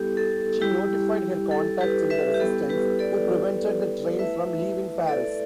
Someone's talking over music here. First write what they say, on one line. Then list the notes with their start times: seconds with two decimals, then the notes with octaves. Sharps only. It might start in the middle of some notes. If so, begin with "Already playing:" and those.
She notified her contacts in the Resistance, who prevented the train from leaving Paris.
Already playing: G3 B3 E4 G4 A4
0.17 A4
0.61 G3 E4 G4
1.51 A4
1.81 G4 B4
2.10 B4 E5
2.34 G4
2.40 G3 B3 E4 A4
2.69 G4 B4
2.99 A4 D5
4.19 A3 E4 B4 E5
5.08 A4 D5